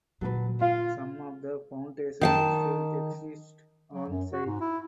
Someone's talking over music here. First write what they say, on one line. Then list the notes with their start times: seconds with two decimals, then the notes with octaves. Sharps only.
Some of the foundations still exist onsite.
0.21 A#2 D3 F#3 A4 B4
0.61 F4 F5
2.21 D#3 F5 A5
3.93 F#3
4.09 F#2
4.33 F#4
4.46 G#2
4.61 E4